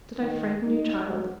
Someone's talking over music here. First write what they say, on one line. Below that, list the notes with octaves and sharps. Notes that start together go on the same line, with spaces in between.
Did I frighten you, child?
D#3
D#4
F#3